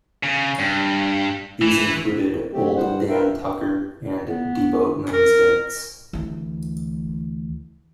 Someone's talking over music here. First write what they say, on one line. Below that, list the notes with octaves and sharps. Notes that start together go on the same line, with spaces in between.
These included "Old Dan Tucker" and "De Boatman's Dance".
C#3
G2
E3
F#3 A3 C4 G4
G2 G3 C5 F#5
F4 A#4 B4 E5 G5
B3
A#4
D2 E3